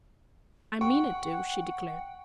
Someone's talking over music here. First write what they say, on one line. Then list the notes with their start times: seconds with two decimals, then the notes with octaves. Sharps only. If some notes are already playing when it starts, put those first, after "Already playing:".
"I mean it to," she declared.
0.81 F#5 G5 C#6